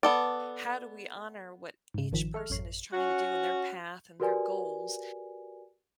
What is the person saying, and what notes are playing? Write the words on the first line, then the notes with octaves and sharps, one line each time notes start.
how do we honor what each person is trying to do in their path and their goals,
B3 A4 D5
G#2 C#3
A1 D#3 F3 B6 E7
A4 E5 C#6 F6
A1 F#2 C#5 C7
C#4 F#4
F#4 G4 A#4 B4 D5 G#5